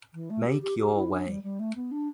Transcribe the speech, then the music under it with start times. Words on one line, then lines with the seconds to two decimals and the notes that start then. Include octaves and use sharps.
Make your way.
0.13 E3
0.29 A3
0.46 G4
0.61 G4
0.78 G4
0.94 E4
1.10 D4
1.27 G3
1.43 G3
1.59 A3
1.75 B3
1.91 D4